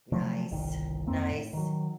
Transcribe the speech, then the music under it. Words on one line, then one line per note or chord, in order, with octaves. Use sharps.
Nice. Nice.
C3 F3 F#3 A3
G1 C2 D#3
F2 A#3 C4
A2
D#3 F#3